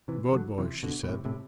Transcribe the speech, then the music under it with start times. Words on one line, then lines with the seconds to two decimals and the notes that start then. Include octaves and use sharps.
"Good boy!" she said.
0.08 C3 E3
0.33 D3 F#3
0.58 C3 E3
0.83 B2 D3
1.03 B2
1.08 A2 C3
1.25 A2 C3